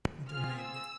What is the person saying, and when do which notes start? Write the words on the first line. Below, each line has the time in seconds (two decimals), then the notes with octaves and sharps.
Peter Meienberg.
0.29 C4 F4 G#4 F6
0.61 E6